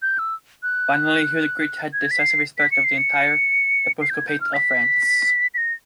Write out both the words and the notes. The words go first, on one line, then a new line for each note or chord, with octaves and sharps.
Finally, Hugh the Great had the decisive respect of the entire episcopate of France.
G6
E6
F#6
G#6
B6
C7
B6
C#7
C7
C#7
C7
G6
G#6
G6
F6
B6
B6
A#6